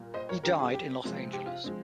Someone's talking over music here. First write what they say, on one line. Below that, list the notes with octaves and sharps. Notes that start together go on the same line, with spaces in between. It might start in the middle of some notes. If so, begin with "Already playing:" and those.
He died in Los Angeles.
Already playing: A#2 G3 A#3
C5 D#5
A#4 C#5
D#3 G3 C#4 G4 A#4
F4 G#4
G4
C3 F3 G#3 C4
G4
F4
F3 G#3 C4